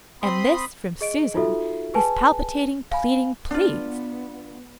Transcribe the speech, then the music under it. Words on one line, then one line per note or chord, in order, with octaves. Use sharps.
And this from Susan--this palpitating, pleading "please"!
C4 B5 C6 D#6
G#4 D#5 D7
D#4 F4 F#4 A4 E5
G#4 B4 G#5 A5
F5 G#5 B5
B3 D4 F4